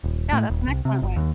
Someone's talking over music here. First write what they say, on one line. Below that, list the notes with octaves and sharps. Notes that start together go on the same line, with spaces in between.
Yeah, that's an excellent way.
D#1
A2
D#1
C2
C3
G1
D#2